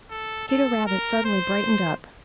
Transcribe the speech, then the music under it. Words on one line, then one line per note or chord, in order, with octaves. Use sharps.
Peter Rabbit suddenly brightened up.
A4
A4
A#4
C5